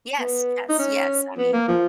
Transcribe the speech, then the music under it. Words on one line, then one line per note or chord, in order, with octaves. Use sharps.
Yes, yes, yes, I mean
B3
D#4
C#4
B3
A#3
F3